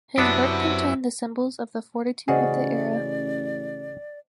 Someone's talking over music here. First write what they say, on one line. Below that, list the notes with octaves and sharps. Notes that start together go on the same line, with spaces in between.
His work contained the symbols of the fortitude of the era.
F#2 B3 C4 D4 E4 G4
A1 C#3 F#4 G#4 C5 D5 D#5 F#5